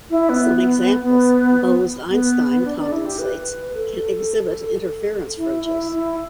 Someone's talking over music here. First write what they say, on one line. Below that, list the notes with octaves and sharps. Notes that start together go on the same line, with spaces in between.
Some examples: Bose-Einstein condensates can exhibit interference fringes.
E4
B3
B3
B3
D4
D4
E4
G4
B4
A4
E4
E4
E4